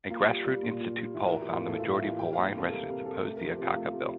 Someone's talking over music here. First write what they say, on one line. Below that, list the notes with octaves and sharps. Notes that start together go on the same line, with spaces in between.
A Grassroot Institute poll found the majority of Hawaiian residents opposed the Akaka Bill.
A#3 F4
G3
G3
A#2
A#2
G3
E3 E4
A#4
E3
G4
A2 F4
A2 A4
F4
A2
E5
E3 F5
G3 G5
F5
A#3
G4
C3 A4
G3 A#4
C3 A#4
C3 A4
A3 G4
A#4
F3
G4
C3 F4
A3 F4
C3